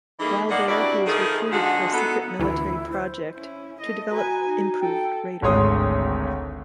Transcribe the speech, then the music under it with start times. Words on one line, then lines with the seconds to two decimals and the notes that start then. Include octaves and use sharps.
While there he was recruited for a secret military project to develop improved radar.
0.20 E3 G3 A3 A#3 D#4 G#4
0.49 A#2 A#3 D4 D5 D#5 F#5
0.67 G2 C3 E4 F#4 D5
1.06 D#3 F3 A3 D#4 G#4
1.51 D3 F3 G#3 F4 F#4
1.92 B3 D#4 E4 A4
2.39 D2 E3 E4
2.92 C5
3.34 C#4 E4
3.81 A3 D#5
4.11 F#4 B4 G#5 A#5
4.48 D#4
4.82 A4 G5
5.42 G#1 D2 G#3 C#5 C6 D#6